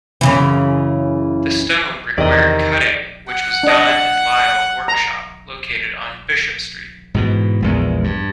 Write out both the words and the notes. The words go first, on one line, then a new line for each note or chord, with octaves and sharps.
The stone required cutting which was done in Lyall workshop located on Bishop Street.
F#2 C#3 E3
E2 C3 D#3 D5 D#5
F#5
D4 D#5
A#5
G#2 B2 E3
A#1 E2 G#3
G2